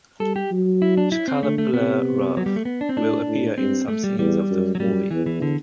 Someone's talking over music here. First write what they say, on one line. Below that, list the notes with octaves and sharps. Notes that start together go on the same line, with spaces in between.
Shkaplerov will appear in some scenes of the movie.
G3 A4
G4
F#3
E4
D4
E4
C4
D3 A3
A3
C3 B3
F#3
G3
A3
B3
D4
C4
A2 D4
A2
G2 C4
A3
G3
E2 G3
F#2
F#3
F#2 G3
E2 E3
E3
D3